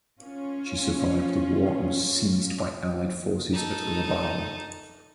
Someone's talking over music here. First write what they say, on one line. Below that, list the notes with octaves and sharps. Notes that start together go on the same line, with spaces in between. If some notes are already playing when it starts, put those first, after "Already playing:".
She survived the war and was seized by allied forces at Rabaul.
C#4 F4
D#4 A4